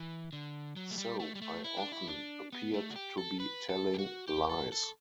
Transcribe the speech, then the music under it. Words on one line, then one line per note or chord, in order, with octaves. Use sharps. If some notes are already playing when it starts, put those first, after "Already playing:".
So I often appeared to be telling lies.
Already playing: E3
D3
F#3
A3
G3
A3
G3
A3
E4
D4
E4
D4
B3
A3
F#4
G4
A4
B4
A4
G4
F#4
G4
A4
A4